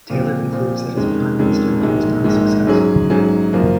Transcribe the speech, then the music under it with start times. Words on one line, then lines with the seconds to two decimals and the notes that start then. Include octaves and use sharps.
Taylor concludes that as prime minister, he was not a success.
0.10 A#2 F3 C4
0.53 A#2 F3 C4
0.96 F2 D#3 G#3 C#4
1.39 F2 D#3 G#3 C#4
1.81 A#1 G#2 D#3 G#3
2.24 A#1 G#2 D#3 G#3
2.67 G#2 F#3 C#4 G#4
3.10 G#2 F#3 C#4 G#4
3.53 F#2 F3 A#3